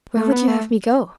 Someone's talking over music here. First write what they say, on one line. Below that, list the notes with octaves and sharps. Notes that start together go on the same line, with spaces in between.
"Where would you have me go?"
A3
B3
A3